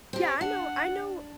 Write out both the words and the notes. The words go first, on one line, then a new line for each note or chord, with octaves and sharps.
Yeah, I know I know
C4 G4
D4 F#5